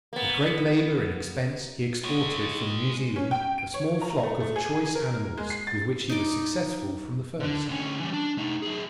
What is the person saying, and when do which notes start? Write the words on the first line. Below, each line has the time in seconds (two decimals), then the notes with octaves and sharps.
At great labour and expense he exported from New Zealand a small flock of choice animals, with which he was successful from the first.
0.13 A#3 B3
2.04 G#3 C#5
3.16 C#4
3.31 G5
3.58 D7
3.74 C#5
4.02 A#5
4.23 A3
4.40 A3
4.56 G#4
4.95 A#4
5.38 G#3
5.50 C7
5.67 A6
6.09 D#4 D5
7.40 D3 D4
7.69 D2 C#4
8.00 E3 G3
8.13 D4
8.38 A3 D#4
8.62 F#3 G#4